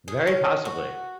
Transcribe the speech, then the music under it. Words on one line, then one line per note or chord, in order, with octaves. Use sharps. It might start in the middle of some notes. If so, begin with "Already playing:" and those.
Very possibly.
G#4
C#4
F#4